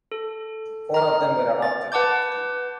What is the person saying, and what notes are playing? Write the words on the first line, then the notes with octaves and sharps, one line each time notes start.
Four of them were adopted.
A4
A#5 F6
A6
B4 F#5 A5 D6 G6